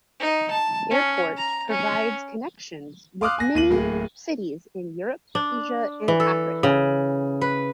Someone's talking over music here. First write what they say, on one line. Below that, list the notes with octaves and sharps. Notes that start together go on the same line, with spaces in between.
Airport provides connections with many cities in Europe, Asia and Africa.
D#4
A5
C#4
A#5
C#4
F5 C6 D6 D#6 F6 F#6
G#5 A#6
D#2 D#7 F#7
D1 A2 A#3 G#4
D4
E3
A4
C#3
B4